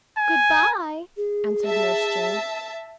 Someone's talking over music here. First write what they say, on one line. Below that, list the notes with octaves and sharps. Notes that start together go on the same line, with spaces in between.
"Good-bye!" answered Nurse Jane.
G#5
G#4
E5 A5